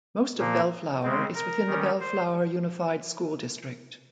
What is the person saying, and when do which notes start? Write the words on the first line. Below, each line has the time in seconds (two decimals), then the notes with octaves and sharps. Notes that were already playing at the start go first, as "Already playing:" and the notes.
Most of Bellflower is within the Bellflower Unified School District.
0.38 A#2 F3 A#3
1.03 C#3 G#3 C4
1.35 A#4
1.67 D#3 G3 C#4
2.00 C5